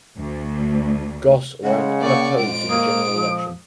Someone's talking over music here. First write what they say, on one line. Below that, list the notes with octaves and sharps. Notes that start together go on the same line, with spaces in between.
Goss ran unopposed in the general election.
D2
C#3 G#3 F#5
A#3 D5 C#6
F2 A#2 G#3 D7
A#3 D#6
F3